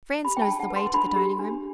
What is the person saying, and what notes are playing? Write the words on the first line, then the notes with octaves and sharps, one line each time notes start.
Franz knows the way to the dining-room.
G4 B5
G5
A5
D4
F#5
B4
C6
C6
D4 B5
G4
D4